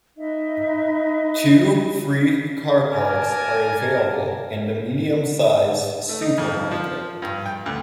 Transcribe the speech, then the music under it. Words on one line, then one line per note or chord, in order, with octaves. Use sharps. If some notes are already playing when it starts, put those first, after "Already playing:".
Two free car parks are available and a medium-sized supermarket.
D#4 B4 D#5 E5
A#4 D5 G#5 A5
A3
D#4
F2
F3
G2
G5
D2